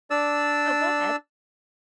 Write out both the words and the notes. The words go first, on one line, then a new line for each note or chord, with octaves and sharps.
Oh, go ahead.
D4 D5 E6